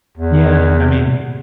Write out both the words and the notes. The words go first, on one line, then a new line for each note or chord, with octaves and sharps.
Yeah, I mean
E2